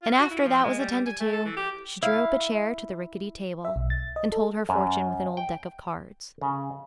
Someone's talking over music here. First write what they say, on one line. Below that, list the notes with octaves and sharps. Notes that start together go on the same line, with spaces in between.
And after that was attended to, she drew up a chair to the rickety table, and told her fortune with an old deck of cards.
F4
F#4
E4
F3
G#3
G3
G3
G#5
A3
A4
E3
G4
E4 F5
E5
B1
A6
D#5
A4
F#2
G5
C#3